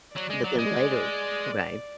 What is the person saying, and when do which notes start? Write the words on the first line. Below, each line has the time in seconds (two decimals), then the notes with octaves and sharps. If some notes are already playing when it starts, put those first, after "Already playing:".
But then later, okay,
0.15 F#3 D5
0.30 G#3
0.44 F#3
0.59 G#3